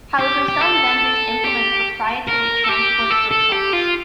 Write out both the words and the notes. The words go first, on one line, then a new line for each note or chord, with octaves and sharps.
However, some vendors implement proprietary transport protocols.
G4
G4
A4
G4
A#4
A4
G4
A4
A4
G4
F4